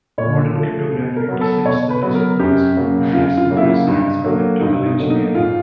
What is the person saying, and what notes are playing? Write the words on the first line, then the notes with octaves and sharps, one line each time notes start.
Modern cryptography intersects the disciplines of mathematics, computer science, and electrical engineering.
A#2 C#5
F3 A3
B2
A#4
F#3 B3
A4
B2 C#5
B4
F#3 B3
A#4
F#2 G4
C#3 F#3 A#3
F#2 F4
F4
C#3 F#3 A#3
E4
F4
G2 D#4
D3 F#3 A#3
G2 D#4
D#4
D3 F#3 A#3
D#4
G#2 F4